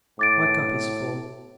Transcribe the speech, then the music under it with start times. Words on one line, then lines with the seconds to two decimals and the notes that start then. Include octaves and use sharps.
My cup is full.
0.19 A2 D6 A6 D7